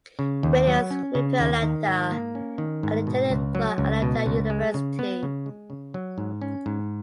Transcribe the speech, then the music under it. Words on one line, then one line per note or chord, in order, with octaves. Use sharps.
Williams moved to Atlanta and attended Clark Atlanta University.
C#3
D#2
F#3
C#4
C#3
D#2
D#3
G#2
A#3
C#4
D#3
G#2
B2
C#2
F#3
C#2
B2
C#2
G#3
C#3
B3
C#3
G#3
C#3
F#3
G#2
C#4
G#2